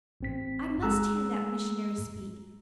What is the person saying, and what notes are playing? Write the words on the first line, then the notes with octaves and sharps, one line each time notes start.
I MUST hear that missionary speak.
A1 C4 B6
G#3 G#4 A#5 E6 F#6